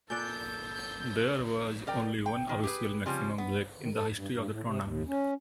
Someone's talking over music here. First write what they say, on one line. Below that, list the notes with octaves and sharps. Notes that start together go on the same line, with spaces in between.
There was only one official maximum break in the history of the tournament.
A#2 A4 A#4 D5 G#5 D6 F#6 G6
A#4 D5 G5
G5
B2 D#3
G4 G#4 B4
C#3 F3 G3 C4 C#4
B3
D#3
A4
G2
G2
A2
C3
D#2
C#4